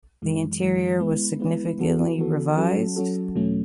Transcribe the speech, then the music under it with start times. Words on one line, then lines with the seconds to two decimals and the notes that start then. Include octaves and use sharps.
The interior was significantly revised.
0.22 F#2 E3 G#3
0.61 F#2 E3 G#3
1.00 G#3 B3 E4 B4
1.40 G#3 B3 E4 B4
1.79 E3 B3 F#4 A4
2.18 E3 B3 F#4 A4
2.57 F#3 C#4 F#4 A4
2.96 F#3 C#4 F#4 A4
3.35 E2 B2 F#3 A3 C#4